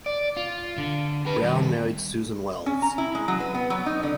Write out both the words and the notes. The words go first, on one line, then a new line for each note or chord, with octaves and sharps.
Brown married Susan Wells.
D5
F4
D3
G4 B4
G2 D#3
C#4
A#5
E4
G#3
F#3
B4
B3
F#3
D#4
D3